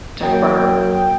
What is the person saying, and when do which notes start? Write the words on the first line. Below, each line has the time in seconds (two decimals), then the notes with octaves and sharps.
to for her.
0.22 F#2 F#3 A#3 G5 D#6